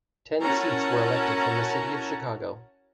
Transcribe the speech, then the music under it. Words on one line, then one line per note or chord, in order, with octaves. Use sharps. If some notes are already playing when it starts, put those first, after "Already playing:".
Ten seats were elected from the City of Chicago.
C#4 E4 F#4 A#4 A5 A#5